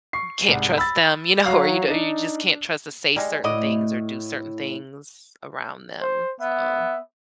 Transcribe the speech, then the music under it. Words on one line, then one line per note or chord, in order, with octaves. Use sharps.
can't trust them, you know, or you do you just can't trust to say certain things, or do certain things around them, so
C#6 C7
C2 G#2 F#5
B5 E6 A6
F#3 F5 A#5
D4 D#4
G3 G#3 D#4
A2 A3 E4 F#4 D5 D#5
C5
B3 E5